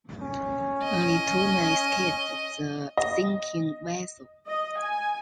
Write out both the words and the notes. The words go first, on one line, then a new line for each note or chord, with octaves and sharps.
Only two men escaped the sinking vessel.
C#4
D#5
D#5
D#5
G#5